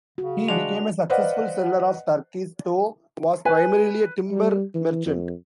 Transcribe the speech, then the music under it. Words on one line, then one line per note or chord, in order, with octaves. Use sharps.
He became a successful seller of turkeys, though was primarily a timber merchant.
C#3 F#4
G#3 D4 F#5 F7
B4 C5 D5 D#5 F5 F#5
B4 G#5
G3
E3
F2